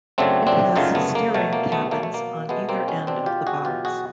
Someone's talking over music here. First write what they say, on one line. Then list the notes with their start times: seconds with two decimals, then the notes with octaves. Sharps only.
It has steering cabins on either end of the box.
0.18 F#2 C#3 F#3 A3 C4 D4
0.47 C4 D4
0.76 F#2 C#3 F#3 A3 D#4 F4
0.95 A3 B3
1.15 A#3
1.34 B2 F#3 A3
1.53 A#3
1.72 A3 B3
1.91 B2 F#3 A3 A#3
2.03 A3
2.14 A#3
2.49 B2 G#3 A3 B3
2.69 A#3 C4
2.88 B3 C#4
3.07 B2 G#3 C4 D4
3.26 F4 G4
3.47 F#4 G#4
3.65 E2 B2 F#3 F4 G4
3.85 F#4 G#4